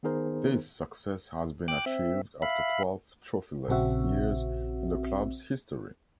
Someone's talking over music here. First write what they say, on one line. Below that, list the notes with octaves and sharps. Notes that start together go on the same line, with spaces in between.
This success has been achieved after twelve trophyless years in the club's history.
D#3 B3 D#4 G#4 A#4 C5
G5 D6 F#6
C4 E5
E5 F5 B5
A#1 C#3 C4 F#4 E5